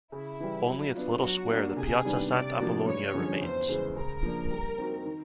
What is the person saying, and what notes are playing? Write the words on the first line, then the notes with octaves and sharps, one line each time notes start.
Only its little square, the "Piazza Sant'Apollonia" remains.
C#3 E4
E3 G3
F#3
B3 D4 F4
F#3 F#4
A#3 D4
C3 G#4
D#3 G3 B3 D4
C3 D5
F3 A#3 D4 F#4
G2 C#5
D3 F3 G#3 C#4
E2 C5
C#3 E3 G#3
C#3 A#4
F3 A#3 D4
G3
C4 D#4 F#4
D#3